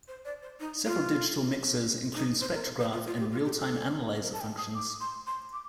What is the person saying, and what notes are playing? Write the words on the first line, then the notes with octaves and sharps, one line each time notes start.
Several digital mixers include spectrograph and real time analyzer functions.
C5
D5
C5
D#4
F4
D#4
C5
A#4
C5
F4
F4
G4
F4
G4
A4
A#4
A5
G5
D#6
D6
C6
C6
D6